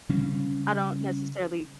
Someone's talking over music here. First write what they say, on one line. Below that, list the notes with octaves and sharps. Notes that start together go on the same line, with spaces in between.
I don't necessarily
C#3 G3 C4 C#4